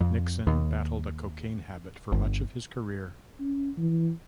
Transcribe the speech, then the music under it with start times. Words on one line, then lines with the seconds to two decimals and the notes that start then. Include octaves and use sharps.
Nixon battled a cocaine habit for much of his career.
0.01 F2
0.47 D#2
2.12 G1
3.40 C#4
3.78 E3